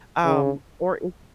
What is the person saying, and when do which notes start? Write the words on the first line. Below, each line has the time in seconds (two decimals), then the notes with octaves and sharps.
um, or
0.25 C#3